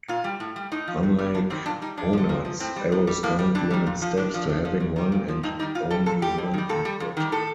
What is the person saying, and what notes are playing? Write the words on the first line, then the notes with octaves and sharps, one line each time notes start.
Unlike monads, arrows don't limit steps to having one and only one input.
A#2 F4
G3
A2
G3
A2 D#4
F3
A2
G3
F2 D4
D#3 G3 C4
A#2 D4
G3 D#4
F2 D4
F3
D3
A#2
F3
A2 C4
G3
A2
G3
A2 A#3
G3
G2 D4
D#3 G3
A#2
F3
A2 D4
F3
A2
F3
F2
D#3 G3
A#2
F3
G2 D#4
D#3 G3 D#4
A#2 F4
G3 A4
A#2 A4
G3 G4
G2
D#3 G3
A#2 A4
G3
F2
D#3 G3
A2 A4